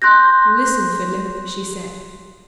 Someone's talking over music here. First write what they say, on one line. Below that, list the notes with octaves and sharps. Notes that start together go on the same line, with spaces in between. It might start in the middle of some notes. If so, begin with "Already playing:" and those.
"Listen, Philip," she said.
C6 F#6 G6 A#6